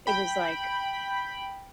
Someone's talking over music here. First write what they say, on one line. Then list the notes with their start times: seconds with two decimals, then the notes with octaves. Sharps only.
it was like
0.07 G5 B5